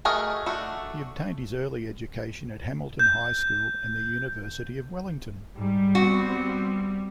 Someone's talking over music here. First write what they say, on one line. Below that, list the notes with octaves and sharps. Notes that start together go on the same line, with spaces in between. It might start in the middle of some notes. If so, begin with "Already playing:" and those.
He obtained his early education at Hamilton High School and the University of Wellington.
A3 F#4 G#4 A#4 D#5
A3 D4 F#4
G6
G#2 G3
B3 C4 F#4